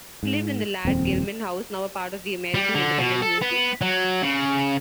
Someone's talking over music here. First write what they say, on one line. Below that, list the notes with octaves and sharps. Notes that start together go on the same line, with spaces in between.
He lived in the Ladd-Gilman house, now a part of the American Independence Museum.
G#2
D#1 F2 C4
G3
D3
B2
A4
B3
F#3
C#3